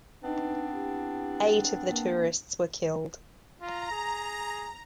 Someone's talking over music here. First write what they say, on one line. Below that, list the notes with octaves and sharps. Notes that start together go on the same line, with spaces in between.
Eight of the tourists were killed.
B3 C4 D4 D#4 B4
E4 G4
A#3
F4 A#5
G#4